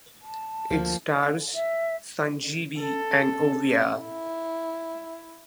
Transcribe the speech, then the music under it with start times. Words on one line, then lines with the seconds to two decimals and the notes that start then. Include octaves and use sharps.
It stars Sanjeevi and Oviya.
0.21 A5
0.70 D2 F3 A#3
1.55 E5
2.78 A4
3.99 E4